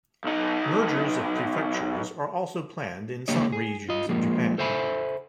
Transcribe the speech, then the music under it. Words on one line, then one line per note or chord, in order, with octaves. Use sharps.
Mergers of prefectures are also planned in some regions of Japan.
B1 D#4
C#2 D3 A#3 G4 C#5 D#5
G#4
F4 D#5
F3 G3 G#3 A#3
A4 C5 E5 G#5 B5